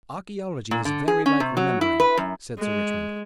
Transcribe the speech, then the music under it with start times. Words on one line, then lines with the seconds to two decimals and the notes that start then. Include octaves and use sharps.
"Archaeology is very like remembering," said Sir Richmond.
0.71 A#2
0.85 D3
1.08 G#4
1.26 C#4
1.40 C3
1.57 F#3
1.81 E4
2.00 B4
2.17 F#2
2.58 G#3